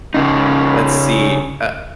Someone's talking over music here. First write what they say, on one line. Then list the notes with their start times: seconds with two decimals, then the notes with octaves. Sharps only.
Let's see, uh
0.14 C#3 D#4